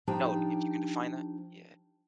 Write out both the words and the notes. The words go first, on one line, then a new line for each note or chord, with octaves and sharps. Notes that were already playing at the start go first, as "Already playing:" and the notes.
No, if you can define that Yeah.
F3 D4 D#4 G4 G5 A5